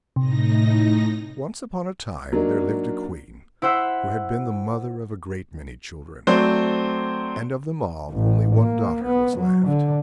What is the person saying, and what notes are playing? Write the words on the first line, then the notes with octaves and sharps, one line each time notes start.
Once upon a time there lived a queen who had been the mother of a great many children, and of them all only one daughter was left.
A2 C3 D#4 A#6
F#3 A#3 D4 D#4 A#4
E4 C5 F#5 E6
F#3 A3 C4 C5 D5
A1
A#3
B3
F#3
D3